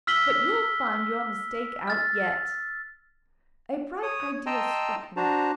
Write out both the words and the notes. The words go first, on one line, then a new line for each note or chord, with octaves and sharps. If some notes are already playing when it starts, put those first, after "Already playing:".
But you'll find your mistake out yet.' A bright idea struck him.
E6 F6 B6 F#7 G7
F6 A6
C#5 D#6
D#5 G5 A5 A#5 C6 E6
D4 F#4 C5 A5 A#5